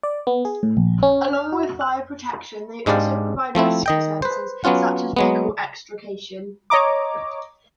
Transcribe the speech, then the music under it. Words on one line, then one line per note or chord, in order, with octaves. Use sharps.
Along with fire protection they also provide rescue services such as vehicle extrication.
D5
B3
G#4
A2
A#1
C#4
F6
F#4
F#6
G#2 G#3 D4 G4 D5 F5
F3 A3 C4 E4
D#3 D#5 G5
B4 C5
F#3 B3 C#4 F4 F#5
F#3 G#3 B3
C#5 D#5 A#5 D6